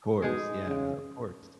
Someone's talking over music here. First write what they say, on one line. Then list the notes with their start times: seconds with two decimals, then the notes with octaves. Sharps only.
Of course. Yeah. Of course.
0.22 B2 G#3 D#4 G#4
0.67 C#3